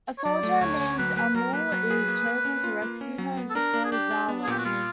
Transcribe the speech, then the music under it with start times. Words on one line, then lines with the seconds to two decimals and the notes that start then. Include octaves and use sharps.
A soldier named Amul is chosen to rescue her and destroy Zawell.
0.18 C#5
0.25 F#3 D5
0.43 A3
0.61 D2 C#5
0.79 D2
0.99 F#3 B4
1.16 A#3 B4
1.34 F#3 A#4
1.53 A#3 B4
1.72 F#3
1.90 G#4
2.08 A#3
2.26 A#3
2.45 C#4
2.64 F4
2.82 A#3
3.01 C#4
3.18 F#3
3.37 B3
3.50 A4
3.55 D4 A#4
3.74 D4
3.85 G#4
3.92 D4 G4
4.11 D4
4.28 B3
4.44 G#4
4.47 A#2 G4
4.59 F#4
4.65 G3 F4